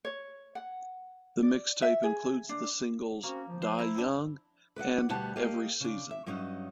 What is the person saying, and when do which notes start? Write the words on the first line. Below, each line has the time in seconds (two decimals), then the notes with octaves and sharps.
The mixtape includes the singles "Die Young" and "Every Season".
0.05 C#5
0.55 F#5
1.43 D5
1.82 E5
2.03 G#4
2.49 D4
3.23 A#3 C4 C#4 F#4
3.48 F3
3.62 C5
3.79 E4 A#5
3.94 C4 D4
4.76 B4 D5 D#5 F#5
5.09 D2 B2 G3 B3 F#5 A5
5.36 A#3 G4 D#5
5.81 C#3 D4
6.11 E5
6.26 G2 F#3 C#4 D#4 D#5